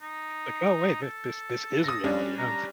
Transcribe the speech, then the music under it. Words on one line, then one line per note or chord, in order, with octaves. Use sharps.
Like, "Oh wait th this this is reality, huh?"
D#4
A4
D#6 A#6
G3 C#4 D4
A#5